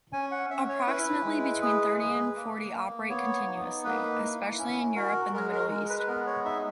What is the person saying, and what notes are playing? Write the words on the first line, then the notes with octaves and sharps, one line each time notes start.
Approximately between thirty and forty operate continuously, especially in Europe and the Middle East.
C#4 G#5
F#5
C#4 E5
C#5
E4 B4
G#3
G#4
G#4
A#3
A#3
B3 C#5
D#4
A#3 B4
E4
C#4
F#4 A#4
G#3 A#4
A#4
G#3 A#4
B4
B4
B3 A#4
C#5
D#4 E5